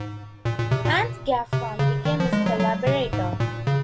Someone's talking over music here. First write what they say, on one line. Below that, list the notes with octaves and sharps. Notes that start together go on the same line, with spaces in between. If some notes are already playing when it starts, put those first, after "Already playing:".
Hans Gaffron became his collaborator.
Already playing: G#2
A#2
A#2
C3
A#2
C3
C#3
D#3
F3
G#3
F#3
F#3
C3
G#2
A#2
C#3